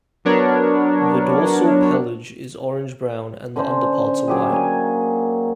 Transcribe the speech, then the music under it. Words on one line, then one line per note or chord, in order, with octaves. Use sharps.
The dorsal pelage is orange-brown and the underparts are white.
F#3 B3 D4 A#4 C#5
D3 C#4 C5
F#3 G4 G#4
A#3 C#5 G#5